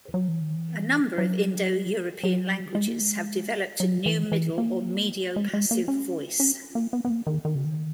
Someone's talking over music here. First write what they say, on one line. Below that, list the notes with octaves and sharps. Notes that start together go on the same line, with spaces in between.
A number of Indo-European languages have developed a new middle or mediopassive voice.
F#3
E3
D#3
E3
F#3
F#3
G#3
A#3
G#3
F#3
E3
E3
A#3
G#3
G#3
A#3
C#4
C#4
A#3
B3
B3
A#3
D#3
D#3
C#3
D#3